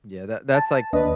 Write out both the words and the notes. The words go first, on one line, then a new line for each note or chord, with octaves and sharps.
Yeah. That that's like
A5
D#2 D4 B4 D#5